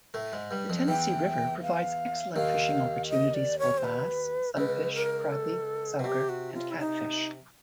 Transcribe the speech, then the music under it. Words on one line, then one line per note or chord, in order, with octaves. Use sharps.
The Tennessee River provides excellent fishing opportunities for bass, sunfish, crappie, sauger, and catfish.
A2 A3
G#2 G#3
G2 G3
F2 F3
E2 E3 G5
F5
D#2 D#3 F5
D#5
D5
C#5
C5
B4
C#2 C#3 B4
A#4
A4
B2
C3 G4
F#4
F4
E4
D#4